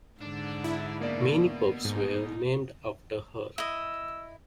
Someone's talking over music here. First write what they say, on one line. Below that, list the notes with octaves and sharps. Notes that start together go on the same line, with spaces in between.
Many pubs were named after her.
G#2 D3 D4
E4
B2 A#3 D5
G#2 D#4
E4 D#5 E6